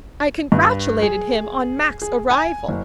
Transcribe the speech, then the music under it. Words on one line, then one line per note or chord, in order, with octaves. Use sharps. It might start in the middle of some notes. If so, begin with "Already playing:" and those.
I congratulated him on Mack's arrival...
G2
G#4
G#4
G#5
F#1